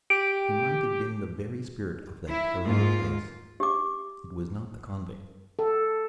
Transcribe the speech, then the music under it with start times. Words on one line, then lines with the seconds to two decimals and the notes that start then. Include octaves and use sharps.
He might have been the very spirit of that terrible place. It was not the convict.
0.10 G4 D7
2.28 E4
2.66 G#2 A#3 F4
3.60 G4 D6
5.59 A4